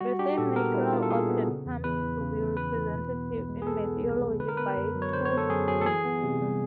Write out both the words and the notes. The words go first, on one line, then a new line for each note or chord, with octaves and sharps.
The same natural object comes to be represented in mythology by two distinct beings.
G3 F#4
D4 G4
A#2 A4
B3 A#4
G3 E4
D4 F4
A4
A#2 G#4
B3
C#3
E2
E2 B4
E3
C#3
E2
E2 B4
E3
B2
B3
C2
G#3
G#4
B2 A4
B3
C2
G#3
D3 B4
A#4
B3 B4
F#2
F#3
C#5
D3 C5
C#5
B3
A4
F#2 G#4
F#3 G#4
A4
E3 G#4
B3
C3
G3